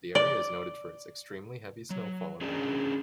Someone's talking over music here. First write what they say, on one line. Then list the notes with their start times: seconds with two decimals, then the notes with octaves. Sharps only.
The area is noted for its extremely heavy snowfall in winter.
0.15 D5
1.90 F#3
2.41 C#4 D4 G#4 A#4 C5 D5